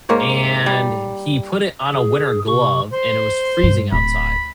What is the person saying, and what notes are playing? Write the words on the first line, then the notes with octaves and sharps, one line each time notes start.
and he put it on a winter glove and it was freezing outside,
G#2 A#3 C#5
G3
G#4
C3 C#6
C5
G2
D1 B5